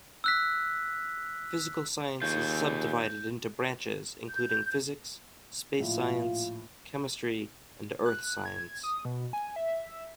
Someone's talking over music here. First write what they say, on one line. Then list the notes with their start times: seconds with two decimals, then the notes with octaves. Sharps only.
Physical science is subdivided into branches, including physics, space science, chemistry, and Earth science.
0.24 E6 F#6 B6
2.22 D#2 F4 G#4 C#5 G6
4.30 G6
5.79 A#1 A2 F4
8.05 F#6
8.45 G#6
8.83 D#6
9.05 B2
9.33 G#5
9.56 E5